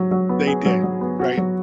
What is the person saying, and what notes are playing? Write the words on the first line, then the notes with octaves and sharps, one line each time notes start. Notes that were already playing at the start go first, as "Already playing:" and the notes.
they did, right?
Already playing: F#3
F#3
B3
G#4
F#3
F#3
B3
F#4
F#3